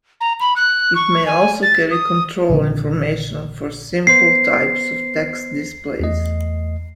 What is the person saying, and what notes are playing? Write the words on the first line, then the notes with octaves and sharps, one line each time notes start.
It may also carry control information for simple types of text displays.
A#5
B5
F#6
C#6
G#5
A6
D#6
A#1 D3
B3 C5 C7
E2 A3 D#5